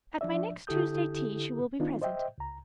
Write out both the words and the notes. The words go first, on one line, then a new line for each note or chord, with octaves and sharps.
At my next Tuesday tea she will be present.
F3 D4 D5 E5
D3 E4 G4 A4 D#6 G6
D#3 B3 D4 D#4 F4
C5 D#5 E5 G5
C#2 A#5